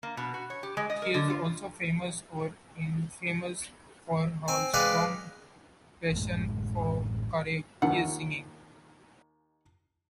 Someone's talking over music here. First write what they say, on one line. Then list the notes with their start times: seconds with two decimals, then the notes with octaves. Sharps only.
She is also famous, or infamous, for her strong passion for karaoke singing.
0.03 A#3
0.17 B2
0.34 F#4
0.50 C#5
0.63 G4
0.77 G#3
0.90 D#5
1.02 A#4
1.14 D3
1.30 F4
4.48 C4 G#5
4.74 G#3 B4 D5 F5 G5 G#5
6.12 A1 F#2 A2 G#3
7.82 D#2 D#3 F3 E4 F4 F#5